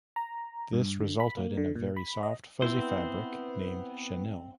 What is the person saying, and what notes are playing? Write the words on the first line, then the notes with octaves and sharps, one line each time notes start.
This resulted in a very soft, fuzzy fabric named chenille.
A#5
G2
D3
B5
A#3
D3
A#2
B5
D#5
B3 C4 E4 C5